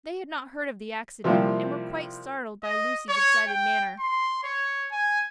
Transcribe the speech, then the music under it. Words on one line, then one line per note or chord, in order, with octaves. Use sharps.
They had not heard of the accident, and were quite startled by Lucy's excited manner.
C3 F3 G3 A#3 E4 F4
D#5
C#5
G5
C6
C#5
G#5